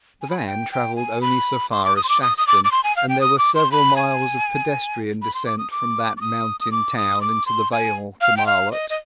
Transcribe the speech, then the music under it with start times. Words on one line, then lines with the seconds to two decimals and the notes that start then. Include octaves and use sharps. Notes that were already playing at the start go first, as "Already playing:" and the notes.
The van travelled only so far as Shaston, and there were several miles of pedestrian descent from that mountain-town into the vale to Marlott.
0.22 G#5
0.30 B5
0.37 G#5
0.47 G5
0.72 G5
0.96 G#5
1.21 B5
1.71 C6
1.85 D6
1.96 D#6
2.04 C6
2.09 D6
2.22 D#6
2.38 D#6
2.47 D6
2.64 D6
2.72 C6
2.84 G#5
2.97 F5
3.09 G5
3.21 D#6
3.38 D6
3.55 C6
3.72 B5
3.96 G#5
5.22 B5
5.34 C6
5.46 D6
5.58 D#6
5.71 D6
6.17 D6
6.21 D#6
6.60 D#6
6.72 D6
6.97 D#6
7.22 D6
7.46 C6
7.72 G#5
8.21 F5
8.37 G5
8.46 F5
8.72 D#5
8.90 D#5